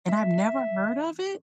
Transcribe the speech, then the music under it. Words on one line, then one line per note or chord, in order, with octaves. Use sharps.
And I've never heard of it?
E5